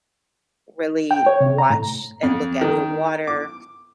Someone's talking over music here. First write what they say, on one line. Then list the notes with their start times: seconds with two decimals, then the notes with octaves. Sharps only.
really watch and look at the water
1.11 G5
1.26 C#5
1.41 C3
1.58 A#5
1.70 A2
2.23 F2
2.61 D#3
3.27 D6